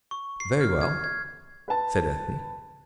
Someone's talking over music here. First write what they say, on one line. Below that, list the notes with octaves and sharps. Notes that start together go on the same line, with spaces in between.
"Very well," said Ethne.
C#6
C7
F6
G#6
G#6
B4 A5